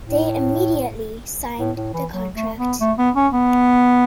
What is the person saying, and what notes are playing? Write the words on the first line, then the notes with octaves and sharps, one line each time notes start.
They immediately signed the contract.
A2
A2
A2
E3
F#3
A3
B3
A3
B3
C#4
B3